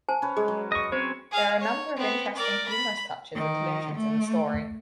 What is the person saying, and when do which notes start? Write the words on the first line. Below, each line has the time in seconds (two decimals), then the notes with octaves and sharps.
There are a number of interesting humorous touches and allusions in the story.
0.09 C5 G#5 A5
0.22 C#4 B4
0.37 G#3 G#4
0.48 F#3
0.72 D#5 C#6
0.92 C4 C#4 C5 C#5
1.31 G#4 F5
1.60 C#5
1.97 B3 C4
2.37 A#4 D5
2.69 B5
3.35 D#3
3.95 A3